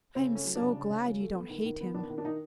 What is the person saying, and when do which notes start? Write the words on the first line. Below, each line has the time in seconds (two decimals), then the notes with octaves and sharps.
"I am so glad you don't hate him."
0.15 C#3 C4
0.31 A3 C#4
0.45 F#3
0.55 D4
0.61 C#3
0.75 C#3
0.90 C#3
1.05 F#3
1.20 A3
1.35 B3
1.50 D#3
1.65 D#3
1.80 B3
1.94 D#3 D4
2.10 D#3
2.18 D4
2.25 D#3 D#4